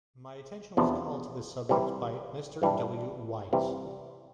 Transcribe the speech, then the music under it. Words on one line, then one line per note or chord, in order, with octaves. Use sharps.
My attention was called to this subject by Mr. W. Wyse.
E2 C3 F3 B3 D4
C3 E3 G3
G2 E3 G3 D4
C3 E3 G3